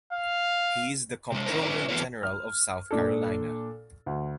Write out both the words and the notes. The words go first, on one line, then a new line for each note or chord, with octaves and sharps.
He is the Comptroller General of South Carolina.
F5
C3 G#3
C#4 E4 A#4 C5
C#4 E4 B4 D5
E3 G3 B3 F4 B4 C#5
F6
A#2 D4 A4
D2